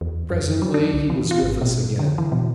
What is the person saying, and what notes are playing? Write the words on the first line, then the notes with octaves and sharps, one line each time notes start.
Presently he was with us again.
E2
F#2
F#3
D4
C#2
E3
F4
G#1
B2
D3
E3
B2